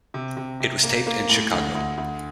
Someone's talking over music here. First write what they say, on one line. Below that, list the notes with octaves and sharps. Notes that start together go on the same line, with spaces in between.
It was taped in Chicago.
C3
C3
C3
A#3
A#3
A2
D2
D2
D2